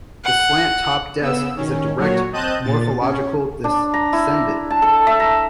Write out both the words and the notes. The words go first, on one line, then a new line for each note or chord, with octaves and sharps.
The slant top desk is a direct morphological descendant.
F#5
C#3 B3 E6
D#3 C#4
A#2 F#3 F#4 C#5
C4 D#5 A5 F#6 G6 D#7
A#2 A6
C#4
D4
A#5
E4
A5
A4
E5
A#5